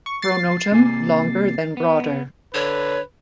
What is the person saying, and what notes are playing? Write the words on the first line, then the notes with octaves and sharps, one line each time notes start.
Pronotum longer than broader.
C#6
A6 C7
C3 A#3 G#5
B3
D3 B4 C#5